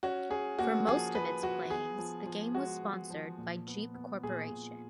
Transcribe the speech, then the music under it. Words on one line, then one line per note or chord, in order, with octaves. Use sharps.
For most of its playings, the game was sponsored by Jeep Corporation.
C#4 F#4
C#4 G#4
A#3 F#4
F3 G#4
F3 B4
F3 F#4
B3 G#4
F3
F3
G#3 F#4
F3
F3
A#2
B3
B3
A#2 G#4
A#2